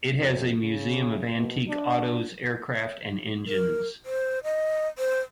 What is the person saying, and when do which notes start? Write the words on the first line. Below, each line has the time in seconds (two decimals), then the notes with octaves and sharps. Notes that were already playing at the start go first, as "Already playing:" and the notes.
It has a museum of antique autos, aircraft, and engines.
0.19 F2
0.61 C#3
1.36 B2
1.68 D4
3.47 A#4
4.06 C5
4.44 D#5
4.98 C5